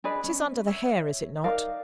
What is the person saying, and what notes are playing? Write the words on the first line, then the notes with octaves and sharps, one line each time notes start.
It is under the hair, is it not?'
D4 G#4 B4 D#5
C#4
C#5 E5
D#4 A#4 D5 F5